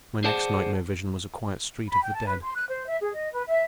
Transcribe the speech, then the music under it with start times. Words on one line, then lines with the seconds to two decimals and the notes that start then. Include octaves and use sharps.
My next nightmare vision was a quiet street of the dead.
0.24 G#4 C5 D5 F#5 A5
1.88 B5
2.02 G5
2.14 A5
2.26 B4
2.42 C6
2.55 F#6
2.69 C5
2.88 E5
3.02 G#4
3.15 D#5
3.33 B4
3.48 E5